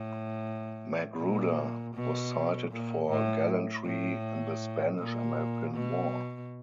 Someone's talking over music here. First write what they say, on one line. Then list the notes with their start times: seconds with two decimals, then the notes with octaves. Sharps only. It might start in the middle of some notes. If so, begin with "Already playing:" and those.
Magruder was cited for gallantry in the Spanish–American War.
Already playing: A2
1.19 A#2
1.95 B2
2.71 A#2
3.09 A2
3.85 A2
4.98 A#2
5.74 B2